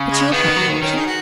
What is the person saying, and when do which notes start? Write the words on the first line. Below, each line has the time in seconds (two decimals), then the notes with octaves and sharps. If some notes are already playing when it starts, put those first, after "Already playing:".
But you'll help me, won't you?
Already playing: C#3
0.11 G#3
0.32 D#3 B3
0.45 D#3
0.57 F#3
0.69 D#3
0.82 D#3 C#4
0.96 G#4
1.06 F#4